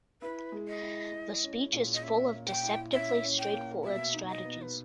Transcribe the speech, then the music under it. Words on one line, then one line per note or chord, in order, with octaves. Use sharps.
The speech is full of deceptively straightforward strategies.
E4 B4
G#3
D#5
E4
G#3
C#4
A#2
D#5
C#4 E5
A#3
G5
E4
C#4 E5
C#4
G5
A#3
B2 E5
D#4
D#5
B3
B4